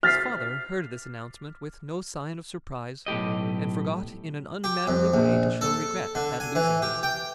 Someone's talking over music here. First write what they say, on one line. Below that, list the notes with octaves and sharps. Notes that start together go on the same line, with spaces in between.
His father heard this announcement with no sign of surprise, and forgot in an unmannerly way to show regret at losing him.
F6 A6 B6 C7
B1 A2 G4 D#5
G4
F2
A#1
A4
D3
G#5
E3
G4
G5